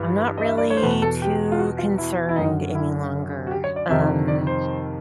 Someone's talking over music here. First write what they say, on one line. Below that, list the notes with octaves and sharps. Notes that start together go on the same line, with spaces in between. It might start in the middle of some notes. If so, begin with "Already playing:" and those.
I'm not really too concerned any longer, um
Already playing: G2 E3
D#5
E5
D5
C#5
C5
E2 B2 B4
A4
G4
F4
F#4
F4
E4
E4
F#2 D3 D#4
E4
F#4
G4
C#5
D5
F2 C3 D#3 E5
D5
C5